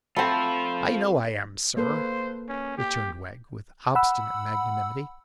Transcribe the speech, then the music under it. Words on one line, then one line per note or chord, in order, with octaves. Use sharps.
'I know I am, sir,' returned Wegg, with obstinate magnanimity.
A3 C4 F4 A4 C5 B5
A#3 A4 B4 C5
C#4
G4
F#5 B5 E6